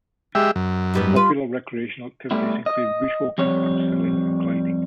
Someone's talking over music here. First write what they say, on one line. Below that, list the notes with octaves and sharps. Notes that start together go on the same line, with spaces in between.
Popular recreational activities include bushwalking, abseiling and gliding.
G#3 G4 E5
F#2
G#2 G3 B3
F4 B4
G3 A3 B3 E4
D#5
F2 G3 C#5